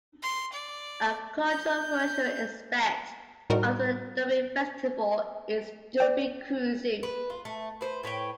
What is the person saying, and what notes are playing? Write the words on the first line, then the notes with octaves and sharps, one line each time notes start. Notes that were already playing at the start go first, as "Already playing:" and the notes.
A controversial aspect of the Derby Festival is Derby Cruising.
C6
D5
G6
A2 G3 D#4 F#4 A#4
D5 G5
B4
F4
A3
B4 C5
A2 B4 C#5 G5